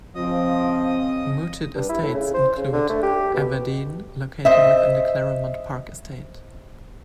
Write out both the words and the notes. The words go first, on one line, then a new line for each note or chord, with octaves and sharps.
Mooted estates include "Evadene", located within the Claremont Park estate.
C#3 F3 C4 D#5 D#6
G2
E4
A2
C#3
C5
C#3
D3
A3
G4
B2
C5 D#5 E5